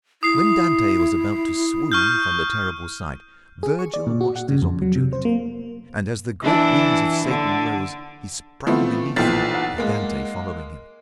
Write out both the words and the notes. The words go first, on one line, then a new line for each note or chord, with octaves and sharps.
When Dante was about to swoon from the terrible sight, Vergil watched his opportunity, and as the great wings of Satan rose he sprang beneath them, with Dante following him.
E4 D#6 C7
C#6 F6 G6
G#4
C#6
D5
A#2
F#4
F#5
C#3
F2
F#3
C3
C5
A#3
E3 D4 E4
D3
E3 F3 A3 B3 C4
B1 A#2 E3 F3 G5 A6
F#5
G#3 A#3